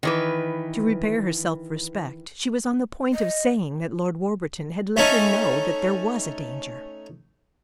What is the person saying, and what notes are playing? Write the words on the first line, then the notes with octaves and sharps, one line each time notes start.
To repair her self-respect she was on the point of saying that Lord Warburton had let her know that there was a danger.
D#3 E3 B4
D#5
A3 C#4 D#4